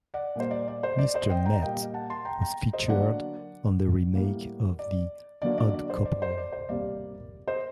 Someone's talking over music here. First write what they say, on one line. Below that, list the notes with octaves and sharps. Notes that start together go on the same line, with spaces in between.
Mr. Met was featured on the remake of "The Odd Couple".
D5 F#5
A#2 G3 A#3 C5
D5
D5
C5
D5
C5 D#5
D#5 G5
G5 A#5
A#2 G3 A#3 D#5 G5
F#5 A5
A5 C6
G5 A#5
G5 A#5
C5 D#5
D3 F#3 A#3 D5 F#5
A2 G3 A#3
D5
D3 F#3 A#3 D5
D5
D5
C5
D5
C5
D5
C5
C3 G3 A#3 D5
C5 D#5